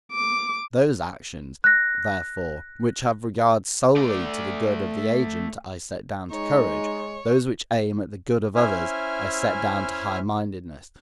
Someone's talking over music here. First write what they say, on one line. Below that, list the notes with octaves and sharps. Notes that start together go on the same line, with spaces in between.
Those actions, therefore, which have regard solely to the good of the agent I set down to courage, those which aim at the good of others I set down to highmindedness.
D6
F#6 A#6
A3 D5
G#3 D#4 C#5
C#4 E4 C5 E5 G#5 F6